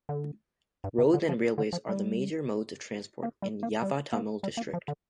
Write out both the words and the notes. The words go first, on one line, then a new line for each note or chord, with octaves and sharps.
Roads and Railways are the major modes of transport in Yavatmal district.
D3
G2
C3
D3
F3
D3
F3
G3
A#3
G3
A#3
G3
A#3
G3
A#3
F3
D3